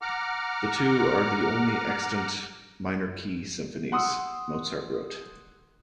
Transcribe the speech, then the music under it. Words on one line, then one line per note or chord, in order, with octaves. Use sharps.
The two are the only extant minor key symphonies Mozart wrote.
F#5 A#5 D6 F6
F#5 C6 D#6 E6